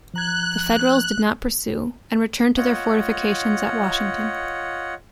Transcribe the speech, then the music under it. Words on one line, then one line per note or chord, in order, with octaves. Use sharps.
The Federals did not pursue and returned to their fortifications at Washington.
F3 A#5 F#6 G#6
F4 C#5 D#5 F#5